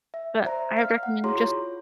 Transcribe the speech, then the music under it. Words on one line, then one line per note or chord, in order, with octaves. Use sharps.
But I would recommend just
E5
C5 D5 E5 A#5
F5 F6
F#5
E4 F#4 G#4 C#5 A#5 C6
F4 C#5